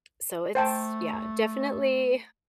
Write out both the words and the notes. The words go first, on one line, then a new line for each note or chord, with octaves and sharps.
so it's yeah, definitely
A3 C5 G5 A5